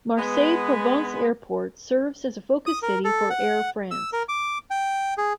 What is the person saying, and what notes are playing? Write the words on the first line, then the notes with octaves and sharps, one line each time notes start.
Marseille Provence Airport serves as a focus city for Air France.
G#3 B3
D#6
A#4
A4
F#5
E6
A#4
D6
G5
G#4